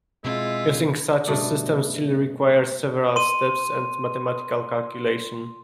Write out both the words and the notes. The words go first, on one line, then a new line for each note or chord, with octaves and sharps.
Using such a system still required several steps and mathematical calculation.
B2 G#3 C4 E4 F4
G2 B2 A3 D5
C6 D#7